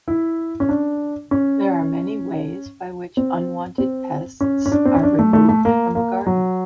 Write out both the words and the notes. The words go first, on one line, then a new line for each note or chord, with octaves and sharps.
There are many ways by which unwanted pests are removed from a garden.
E4
C#4
D4
C#4
C4
C4
C#4
C#4
D4
C4
C#4
D4
A3
A3
A3
A#3
A#3
F#3